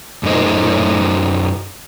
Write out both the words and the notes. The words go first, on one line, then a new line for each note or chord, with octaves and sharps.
Oh my god.
F#2 A3 D#4 C5